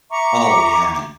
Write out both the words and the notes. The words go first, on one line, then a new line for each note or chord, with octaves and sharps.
Oh, yeah.
E5 A#5 C#6 D6